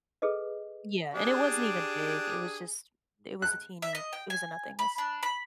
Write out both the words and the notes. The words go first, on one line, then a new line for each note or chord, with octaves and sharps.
Yeah, and it wasn't even big, it was just it was a teeny it was a nothingness.
G#4 A4 B4 D#5
D4 G4 G#4
F#6
E5
D#5
G5
G#5
B5
D4
B5